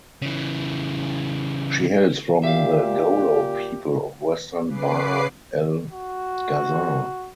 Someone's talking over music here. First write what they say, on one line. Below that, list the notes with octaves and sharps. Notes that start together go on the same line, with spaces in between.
She hails from the Golo people of Western Bahr el Ghazal.
C#3 E3
A#2 G4 E5 F5
C#3 B4 D6 C7
F#4